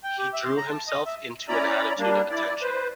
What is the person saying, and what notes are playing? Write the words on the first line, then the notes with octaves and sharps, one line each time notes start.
He drew himself into an attitude of attention.
G5
G4
E5
C6
A#5
A5
D#5
E5
C#4 E4 D5 A#5 B5
G3 A#3 D4
E4 D5
B4 C5